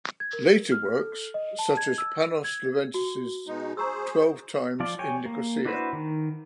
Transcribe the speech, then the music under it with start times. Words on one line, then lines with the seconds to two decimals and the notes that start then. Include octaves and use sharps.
Later works, such as Panos Leventis' Twelve Times in Nicosia.
0.20 G#6
0.33 A#4
0.72 F6
0.98 A4
1.34 D#5
1.59 A5
1.77 G#6
1.98 E6
2.44 G#6
2.94 F#4
3.47 B2 G#3 D#4
3.77 G#4 C5 A#5 C#6 E6
4.80 F3 F4 D5
4.99 C#5 G5 G#5
5.26 A#3
5.65 D4 E4 F#4 B4 C5
5.93 D#3